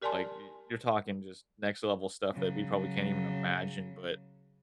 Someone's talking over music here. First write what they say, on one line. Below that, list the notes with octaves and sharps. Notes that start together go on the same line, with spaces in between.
like, y you're talking just next level stuff that we probably can't even imagine. But
G4 A#4 D5 G#5 A5 C6
C#3 F#3